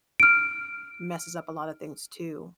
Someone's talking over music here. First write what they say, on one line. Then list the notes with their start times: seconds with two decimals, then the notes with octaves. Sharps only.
messes up a lotta things, too.
0.20 F6 D7